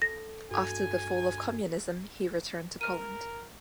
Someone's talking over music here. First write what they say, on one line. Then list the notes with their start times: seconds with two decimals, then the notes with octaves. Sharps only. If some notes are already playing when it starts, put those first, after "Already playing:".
After the fall of communism he returned to Poland.
0.02 A4 A#6
0.51 G2 F#4 A4 G#5
2.81 A#4 F6 D#7